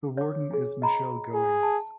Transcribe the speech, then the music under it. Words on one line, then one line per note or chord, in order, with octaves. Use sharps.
The Warden is Michelle Goings.
C#5 D6
D4 G#4
D#5 A#5 B5
G#4
A5